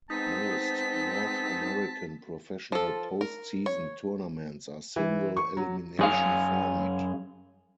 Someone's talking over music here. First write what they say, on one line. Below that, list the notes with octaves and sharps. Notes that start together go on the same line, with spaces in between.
Most North American professional post-season tournaments are single-elimination format.
G#3 B3 C4 D#4 A5 B6
F3 A4
A#4
C#5
E3
C#6
F#3
F#2 G#4 F5